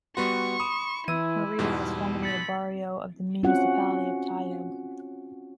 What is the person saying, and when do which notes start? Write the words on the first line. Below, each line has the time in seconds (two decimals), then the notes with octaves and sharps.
Maria was formerly a barrio of the municipality of Tayug.
0.17 G3 B3 F#4 C6 C#6
0.60 B5 D#6 E7
1.08 E3 E4 B5 E6 G#6 D#7
1.59 E2 G#2 B2 G3
2.23 B5 A6 C#7
3.43 C4 C#4 F4 F#4 F#5